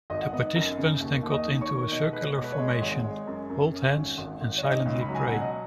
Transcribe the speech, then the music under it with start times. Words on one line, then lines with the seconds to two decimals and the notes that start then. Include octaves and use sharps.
The participants then get into a circular formation, hold hands, and silently pray.
0.10 G#1 D#5
0.22 F#5
0.33 B3 D#4 D#5
0.56 F#2
0.78 C#3
1.01 D#2
1.23 D#2
1.31 D#5 D#6
1.46 D#3
1.61 C#5 C#6
1.69 D#3
1.91 B2 D#4 D#5
2.13 G#3 B4
2.22 C#5
2.37 B2
2.44 B4
2.52 C#5
2.59 G#3
2.82 G#1
3.05 G#3
3.27 F#2
3.50 F#2
3.73 C#4
3.95 G#1
4.18 G#1
4.41 G#1
4.57 C#5
4.63 C#4 D#4 D#5
4.86 C#2
5.01 B5
5.09 F#3
5.15 G#5
5.28 B2 F#5
5.41 D#5